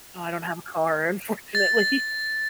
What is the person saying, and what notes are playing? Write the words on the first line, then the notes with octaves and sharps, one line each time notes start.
Oh, I don't have a car, unfortunately.
A6